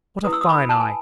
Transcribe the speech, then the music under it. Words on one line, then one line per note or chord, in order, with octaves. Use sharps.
What a fine eye!
E4 B4 D#6
E6
D#6
B5
A5
G#5